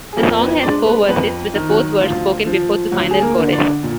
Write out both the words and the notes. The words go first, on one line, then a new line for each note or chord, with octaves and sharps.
The song has four verses, with the fourth verse spoken before the final chorus.
G#4
F2 A#3 A#4
B3 B4
G#3 D4 D5
B3 B4
F2 B3 B4
D#3
F#3 F#4
D2 F3 F4
F3
D2 F#3 F#4
G#4
A#3 A#4
D3
D4 D5
A#2